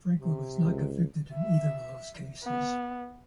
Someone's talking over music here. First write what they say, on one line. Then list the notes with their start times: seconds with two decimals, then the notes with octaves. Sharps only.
Franklin was not convicted in either of those cases.
0.14 C3
0.64 C#2
1.34 E5
2.44 B3